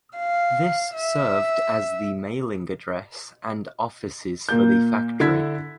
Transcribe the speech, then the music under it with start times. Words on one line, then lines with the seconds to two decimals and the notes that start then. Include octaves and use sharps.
This served as the mailing address and offices for the factory.
0.17 F5
0.94 E5
4.49 A#2 A#3 G6
5.20 D3 E4 E5 G#6 B6